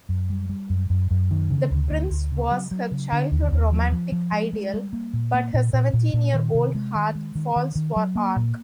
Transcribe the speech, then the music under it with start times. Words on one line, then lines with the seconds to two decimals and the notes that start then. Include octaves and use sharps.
The prince was her childhood romantic ideal, but her seventeen-year-old heart falls for Arc.
0.09 F#2
0.30 G3
0.49 G3
0.70 F#2
0.90 F#2
1.11 F#2
1.31 D#3
1.50 C#3
1.71 D2
1.91 D2
2.10 D2
2.32 C#3
2.51 F#3
2.71 F#3
2.91 C#3
3.12 D3
3.32 D#2
3.52 D#2
3.72 F3
3.92 F3
4.12 F3
4.32 G#3
4.53 G#3
4.74 G3
4.93 A#3
5.13 A#2
5.34 A#3
5.54 A#2
5.73 A#2
5.93 A#2
6.14 A#2
6.34 D#3
6.54 C3
6.75 G#3
6.95 D#3
7.15 G#3
7.35 D#3
7.56 D#3
7.75 D#3
7.96 F#3
8.15 A#3
8.36 A#2